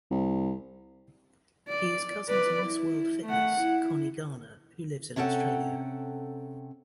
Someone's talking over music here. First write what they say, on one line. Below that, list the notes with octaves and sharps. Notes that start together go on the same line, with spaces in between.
He is cousin to Miss World Fitness - Connie Garner who lives in Australia.
C2
D5
B4 D5
E4
A3 F#5
E4
C3 C#4 A4 F#5 G5